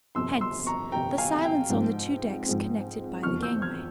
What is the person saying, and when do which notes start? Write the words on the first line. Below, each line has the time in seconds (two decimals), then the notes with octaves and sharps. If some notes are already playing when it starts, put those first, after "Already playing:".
Hence the silence on the two decks connected by the gangway.
0.15 G1 F2 C3 C6 E6
0.41 C6 E6
0.66 A#5 C#6
0.92 G1 F2 C3 G5 A#5
1.18 F5 G#5
1.44 G5
1.70 G#2 F3 G#3 C4
2.46 G#2 F3 G#3 C4
3.23 F1 E2 C3 F3 C4 C#6 F6
3.42 E6 G6
3.62 F6 G#6